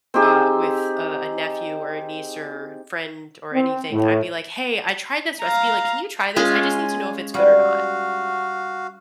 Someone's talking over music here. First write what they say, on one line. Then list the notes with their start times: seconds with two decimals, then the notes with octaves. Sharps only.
uh with, uh, a nephew or a niece, or friend, or anything, I'd be like, "Hey, I tried this recipe, like, can you try this? I just need to know if it's good or not."
0.14 C4 D#4 G4 G#4
3.53 C4
3.91 A2
5.42 F5 A#5
6.36 G#3 C#4 F4 G#5
7.34 G3 F#4 F5